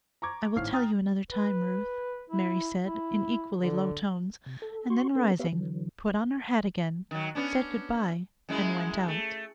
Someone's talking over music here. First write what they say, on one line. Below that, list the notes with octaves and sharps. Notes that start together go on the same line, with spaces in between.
"I will tell you another time, Ruth," Mary said, in equally low tones, and then rising, put on her hat again, said good-bye, and went out.
A#5 C#6 D6 G#6
G#1 A2 F5 F6 C7
G5 A#5 D#6 F6 A6
B4
E4
E4
D3
C3
A4
F#4 C6 C#6
B3 C#4 A4 B4
B3 G4 B4 C#5 E5 F5
D3 E3 F#3
D#3 F#3
B3 C#4 D4
F#2 G#3 E4
A3